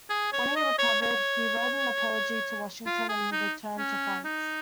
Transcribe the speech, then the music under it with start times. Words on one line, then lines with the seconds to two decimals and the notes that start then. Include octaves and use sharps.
When he recovered, he wrote an apology to Washington and returned to France.
0.10 G#4
0.33 C#5
0.56 D#5
0.79 C#5
1.02 C#5
2.86 F4
3.09 G#4
3.32 D#4
3.78 C#4
4.24 D#4